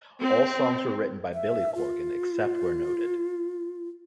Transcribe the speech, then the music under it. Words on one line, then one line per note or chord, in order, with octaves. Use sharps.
All songs were written by Billy Corgan, except where noted.
C4
E5
F4